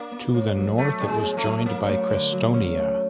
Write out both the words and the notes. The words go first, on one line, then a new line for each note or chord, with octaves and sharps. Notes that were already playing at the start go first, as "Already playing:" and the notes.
To the north it was joined by Crestonia.
Already playing: A#3 D4
B3
A2
F#3
A3 D4
G3 B3
G#3
A2
A3
F#3
A#3 C#4
A3
D3
F#3
C#4
A3